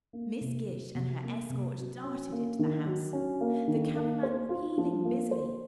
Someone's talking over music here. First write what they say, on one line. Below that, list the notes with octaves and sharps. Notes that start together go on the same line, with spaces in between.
Miss Gish and her escort darted into the house, the camera man reeling busily.
A#3
C3
F#3
C3
A#3
C3
F#3
C#4
A#3
D#3
F#3
C#4
A#3
D#3
A#3
C5
F4
F3
A#3
C5